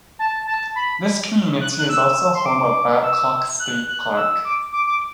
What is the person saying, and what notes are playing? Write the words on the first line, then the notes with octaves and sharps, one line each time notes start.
This community is also home of Babcock State Park.
A5
A5
B5
F#6
F#6
E6
C6
D6
E6
F#6
F#6
E6
D6
D6
D6